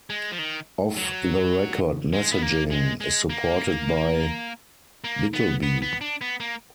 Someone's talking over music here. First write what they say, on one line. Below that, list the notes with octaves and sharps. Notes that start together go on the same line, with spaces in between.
Off-the-record messaging is supported by Bitlbee.
G#3
F3
D#3
F#3
G#3
B3
A#3
G#3
G#3
A#3
A#3
B3
B3
B3
D4
B3
A#3